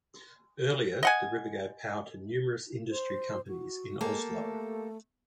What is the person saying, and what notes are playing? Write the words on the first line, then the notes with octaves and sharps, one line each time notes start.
Earlier, the river gave power to numerous industry companies in Oslo.
D#5 F#5 G#5
C5
F#4
G#3 A#3 G4 A4
A3